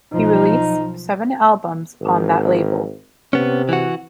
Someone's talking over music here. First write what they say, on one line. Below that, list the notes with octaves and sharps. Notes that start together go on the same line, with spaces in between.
He released seven albums on that label.
B1 F3 D#4
G#1
C3 B3 C#4
E3 F#4